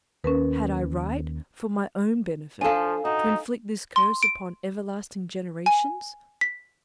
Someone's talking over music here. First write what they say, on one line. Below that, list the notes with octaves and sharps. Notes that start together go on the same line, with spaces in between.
Had I right, for my own benefit, to inflict this curse upon everlasting generations?
D#2 C#4 A#4 B4
F3 D4 A4 F5 G#5
D#4 F#4
C6
D7
G#5
B6